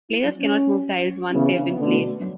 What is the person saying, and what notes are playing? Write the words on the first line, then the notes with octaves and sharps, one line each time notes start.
Players cannot move tiles once they have been placed.
E4
F#3
C#4
C#4
C#3 E3 B3
D4
C#4
B3
B2 D3 A3
F#3